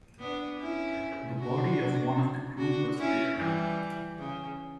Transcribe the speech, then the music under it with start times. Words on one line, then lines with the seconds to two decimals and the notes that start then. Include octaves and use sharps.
The body of one of the crew was there.
0.19 B3 D4
0.60 C#4 E4
1.39 D4 F#4
2.58 D4 F#4
2.98 C#4 E4
3.37 E3 G3
4.18 C#3